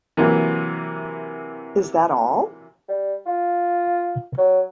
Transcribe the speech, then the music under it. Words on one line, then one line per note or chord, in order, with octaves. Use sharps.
Is That All?
C3 E3 F#3 A#3
G3
F4
F#3